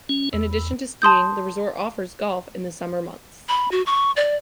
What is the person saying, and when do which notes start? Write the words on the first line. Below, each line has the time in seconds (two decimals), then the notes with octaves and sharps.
In addition to skiing, the resort offers golf in the summer months.
0.09 C#4
0.33 E2
1.02 A5 C6 D#6 G6
3.49 B5
3.72 F#4
3.86 C#6
4.16 D5